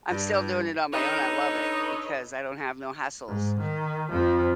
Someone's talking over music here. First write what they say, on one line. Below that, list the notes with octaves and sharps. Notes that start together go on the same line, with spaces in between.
I'm still doing it on my own, I love it, because I don't have no hassles,
G2
D4 D#4 A4 B4 C#5 D#5
G#2
D#3
F2 F3